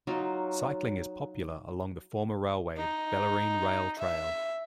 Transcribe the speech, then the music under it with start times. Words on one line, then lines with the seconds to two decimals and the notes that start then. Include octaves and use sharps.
Cycling is popular along the former railway - Bellarine Rail Trail.
0.07 F#3 D#4 F4
2.77 D#4
3.99 E5